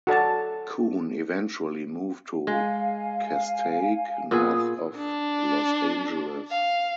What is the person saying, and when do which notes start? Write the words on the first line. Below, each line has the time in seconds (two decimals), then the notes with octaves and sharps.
Koon eventually moved to Castaic, north of Los Angeles.
0.07 F#4 A4 D5 A5
2.47 G#3 F5 G#5
4.31 A#2 B3 G#4 D#6
4.97 D4
6.51 F5